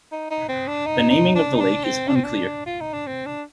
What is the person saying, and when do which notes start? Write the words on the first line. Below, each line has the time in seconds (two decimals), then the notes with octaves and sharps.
The naming of the lake is unclear.
0.12 D#4
0.31 D#4
0.49 C4
0.68 D4
0.86 D#4
1.10 D#4
1.35 D4
1.55 D#4
1.60 D4
1.84 C4
2.09 D4
2.16 C4
2.24 D4
2.66 F4
2.81 D#4
2.93 D4
3.07 C4
3.26 D4